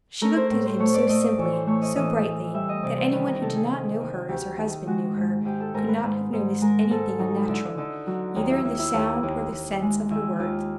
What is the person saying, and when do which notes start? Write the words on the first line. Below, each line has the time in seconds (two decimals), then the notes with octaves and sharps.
She looked at him so simply, so brightly, that anyone who did not know her as her husband knew her could not have noticed anything unnatural, either in the sound or the sense of her words.
0.21 A3 A#4
0.36 C5
0.51 A2
0.66 C5
0.80 A3 C#5
0.94 D5
1.09 A3 D#5
1.24 D5
1.38 E3 C#5
1.52 C5
1.67 A3 C#5
1.82 D#5
1.96 E3 D#5
2.25 E3
2.54 G3 E5
2.69 D#5
2.83 C3 D5
2.98 C5
3.12 D#3 B4
3.27 A#4
3.42 C3 A4
3.56 G#4
3.71 D#3
4.00 D#3
4.29 D2 G4
4.58 D#3
4.87 G#3 F#4
5.16 G#2
5.45 G#2 G4
5.60 A4
5.74 G#2 A#4
5.89 B4
6.03 G#2
6.33 G#2
6.61 G#3 A#4
6.90 G#2 A4
7.19 F#3 D#4
7.48 D3 E4
7.77 D3 D#4
8.07 F#3
8.36 D#2 D#4
8.51 E4
8.65 D#2 E4
8.79 E4
8.94 D#2
9.23 D#2
9.52 D#2
9.82 G#3
10.10 D#3 E4
10.33 E4
10.39 D#2 F4